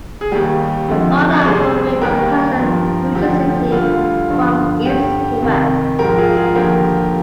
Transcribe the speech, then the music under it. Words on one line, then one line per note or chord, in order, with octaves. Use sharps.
The Thornapple River passes through the city from east to west.
G#4
D#2 D#3 G3 G4
F2 D3 F3
D5
C2 C3 G3 G#4 C5
D#2 D#3 G3 G4 A#4
G2 F3
D2 D3 F3 G4
D2 D3 G3 F4
G2 D3 F3
G2 D3 G3 G4
F2 C3 D#3
G#2 F3 G4 A#4
F4 G#4
F4 G#4
D#2 D3 F3 G4 A#4